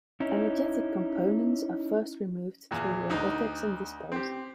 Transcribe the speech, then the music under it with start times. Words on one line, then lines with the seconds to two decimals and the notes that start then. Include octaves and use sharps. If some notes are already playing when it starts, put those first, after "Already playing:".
Energetic components are first removed through robotics and disposed.
0.20 C#4 D#4 E4
2.71 E2 A#2
3.10 D2 D#4
4.12 C4 G4